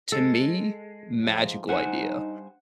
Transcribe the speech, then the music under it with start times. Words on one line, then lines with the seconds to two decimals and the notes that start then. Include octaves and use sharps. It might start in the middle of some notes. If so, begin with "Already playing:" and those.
to me, magical idea,
0.12 G#3 A4
1.22 G#2 F3
1.69 G2 D#4 C5 F#5 G#5